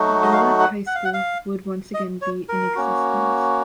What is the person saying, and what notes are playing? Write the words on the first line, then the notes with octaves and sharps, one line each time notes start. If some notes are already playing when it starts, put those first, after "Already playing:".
Duluth High School would once again be in existence.
Already playing: F#3 A3 D#4 F#4
D#5
F5
F#5
F#5
F5
F#5
F5
D#5
C#5
A#4
A#3 C#4 F#4